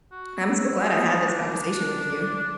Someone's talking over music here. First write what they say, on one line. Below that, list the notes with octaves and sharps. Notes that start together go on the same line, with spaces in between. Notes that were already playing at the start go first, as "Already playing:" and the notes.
I'm so glad I had this conversation with you.
F#4
E4
D#4
D4